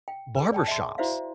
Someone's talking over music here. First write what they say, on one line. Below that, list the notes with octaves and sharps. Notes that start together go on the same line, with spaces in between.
barber shops
G5
G#4 B4
D5 G5 A5
E5 C6
E4 F#4 C5 D5 E5 F5